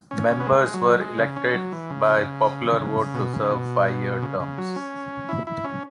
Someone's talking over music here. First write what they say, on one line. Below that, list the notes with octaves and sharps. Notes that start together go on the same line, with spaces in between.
Members were elected by popular vote to serve five-year terms.
C#4
C#4
B3
G#3
F#3
G#3
C#3
C#4
F#3
E3
C#3
B2
C#3
B2
C#3
C#3
F#3
C#4
E4
E4
C#4